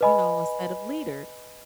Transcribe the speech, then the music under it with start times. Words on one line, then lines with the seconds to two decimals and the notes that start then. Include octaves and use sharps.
you know, instead of leaders,
0.01 B4 D#5 G#5 B5